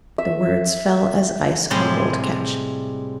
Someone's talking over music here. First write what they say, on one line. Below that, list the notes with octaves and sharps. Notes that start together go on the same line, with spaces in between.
The words fell as ice on old Ketch.
E5
A2 C3 G3 G#3